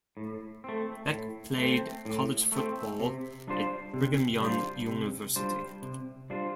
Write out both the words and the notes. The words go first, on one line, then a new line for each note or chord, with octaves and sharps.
Beck played college football at Brigham Young University.
A2
A3 C4
A2
A3 C4
A2
A3 C4
C3
G3 D4 F4 C5
C3
G3 D4 F4 C5
C3
G3 D4 F4 C5
C3
G3 D4 F4 C5